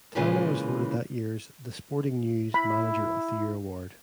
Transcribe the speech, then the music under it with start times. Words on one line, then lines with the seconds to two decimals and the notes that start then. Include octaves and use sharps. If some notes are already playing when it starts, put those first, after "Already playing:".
Tanner was voted that year's "The Sporting News" Manager of the Year Award.
0.15 A#2 C#3 E3 G#3 F4
2.54 E4 B5